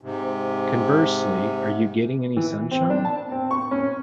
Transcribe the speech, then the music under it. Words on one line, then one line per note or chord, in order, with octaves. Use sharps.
Conversely, Are You Getting Any Sunshine?
G#2 C3
E3
C4
D4
A5
C4
C#6
C#4